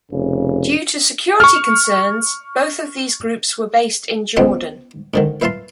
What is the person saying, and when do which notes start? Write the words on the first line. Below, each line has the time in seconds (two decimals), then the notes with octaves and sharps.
Due to security concerns, both of these groups were based in Jordan.
0.11 F1 C#3
1.40 C#6 F6
4.37 C#2 B3 C4 D#5 F#5 D#6
5.14 G#2 D3 D#3
5.41 B4 E5 F5 A5 C6